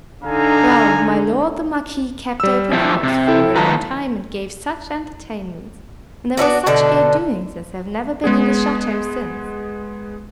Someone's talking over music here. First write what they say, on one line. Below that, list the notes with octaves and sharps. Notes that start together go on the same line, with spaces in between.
Well! my lord the Marquis kept open house, for a long time, and gave such entertainments and there were such gay doings as have never been in the chateau since.
D3 D#4 F5 G#5 A#5
G3 E6
F3 E4 G4 E5
C3
E4 A4 G5
D#3 F4 B4 A5 A#5
B3 D4 E4 F#4
B2 D3 D#4 A4
G#3 B3 G#4